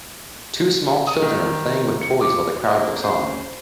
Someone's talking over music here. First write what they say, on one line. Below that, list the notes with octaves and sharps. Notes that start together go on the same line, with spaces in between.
Two small children are playing with toys while the crowd looks on.
D#6
D#3
C#7
D6
A#3 C4 D4
C#3 C5